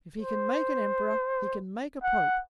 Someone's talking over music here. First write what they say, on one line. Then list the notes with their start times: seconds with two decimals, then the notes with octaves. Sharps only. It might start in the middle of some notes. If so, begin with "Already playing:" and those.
If he can make an emperor, he can make a pope.
0.21 C5
2.03 F#5